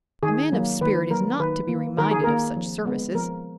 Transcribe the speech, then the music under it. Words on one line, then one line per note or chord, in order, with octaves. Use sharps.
A man of spirit is not to be reminded of such services.
D#3 G#4
F#3 A#3
D#3 B4
F#3 A#3 A#4
D#3 B4
A#3
D#3 A#4
G#4
A#3 A#4
F3
G#3 B3
F3 A#4